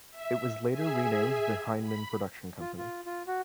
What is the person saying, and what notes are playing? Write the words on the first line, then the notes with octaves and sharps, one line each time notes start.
It was later renamed the Hinman Production Company.
E5
G#4 E5 G#5
B5
F4
F4
F4
F#4